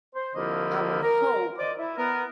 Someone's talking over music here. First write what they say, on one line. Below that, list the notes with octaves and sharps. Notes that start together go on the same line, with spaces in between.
I would hope
C5
C2 D3 F3 A#3 E4 D#5
A#4
C5 D5 D#5 D6
E4
B3 A#4